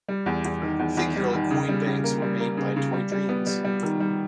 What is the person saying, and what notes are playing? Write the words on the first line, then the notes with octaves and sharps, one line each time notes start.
Figural coin banks were made by Toy Dreams.
G3
E2
E2
D#3
E2
E2
G3
D#3
C#3
G3
C#3
A#3
G3
A#3
C#3
C#3
G3
G3
B3
G3
G3
D#3
G3